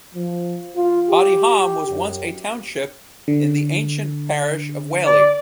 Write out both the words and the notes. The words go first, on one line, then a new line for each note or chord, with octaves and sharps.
Padiham was once a township in the ancient parish of Whalley.
F3
F4
G4
F#2
D3
D5